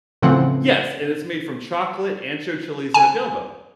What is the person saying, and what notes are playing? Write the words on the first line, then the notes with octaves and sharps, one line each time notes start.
Yes, and it's made from chocolate, ancho chilies, and adobo,
A2 C#3 E3 F3 C4 F#5
G#5